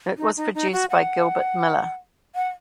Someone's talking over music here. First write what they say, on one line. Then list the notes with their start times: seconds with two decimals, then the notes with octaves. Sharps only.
It was produced by Gilbert Miller.
0.18 D#4
0.37 D#4
0.54 D#4
0.73 F#4
0.90 F#5
2.35 F#5